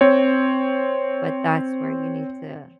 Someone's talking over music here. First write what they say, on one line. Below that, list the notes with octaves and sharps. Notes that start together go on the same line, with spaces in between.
but that's where you need to
C4 C#5